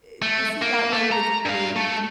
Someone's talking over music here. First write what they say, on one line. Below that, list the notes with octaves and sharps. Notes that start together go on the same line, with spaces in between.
i is he that way with with
A3
A#3
A3
A#5
G2 F5
A3